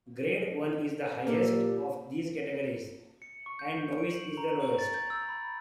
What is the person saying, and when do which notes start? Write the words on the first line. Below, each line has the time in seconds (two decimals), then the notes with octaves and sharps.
Grade One is the highest of these categories, and Novice is the lowest.
1.27 A#2 D3 A#3 G4 A4
3.22 C#7
3.46 C#6
3.59 G6
3.98 D7
4.10 F#7
4.37 A#5
4.79 A6
4.94 G6
5.10 E6
5.29 B5